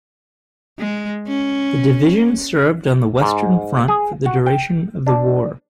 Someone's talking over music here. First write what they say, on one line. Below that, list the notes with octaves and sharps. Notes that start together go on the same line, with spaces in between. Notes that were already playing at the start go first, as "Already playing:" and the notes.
The division served on the Western Front for the duration of the war.
G#3
C#4
G#2
G#4
F#4
G5
D4